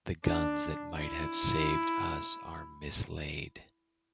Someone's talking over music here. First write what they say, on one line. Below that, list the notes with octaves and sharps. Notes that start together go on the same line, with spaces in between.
The guns that might have saved us are mislaid.
D4
E4